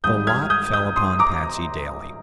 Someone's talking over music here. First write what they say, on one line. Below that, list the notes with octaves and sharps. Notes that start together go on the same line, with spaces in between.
The lot fell upon Patsey Daly.
G#1 G#2 G3 D#6 G6
F6 G#6
D#6 G6
D#6 G6
C6 D#6
A#5 D6